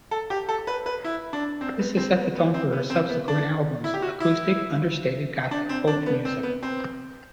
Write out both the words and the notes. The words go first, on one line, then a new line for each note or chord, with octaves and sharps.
This has set the tone for her subsequent albums: acoustic understated gothic folk music.
A4
G4
A4
B4
B4
E4
D4
C4
B3
C4
B3
B3
C4
B3
C4
B3
D4
E4
G4
F#4
E4
D4
C4
D4
B3
C4
B3
C4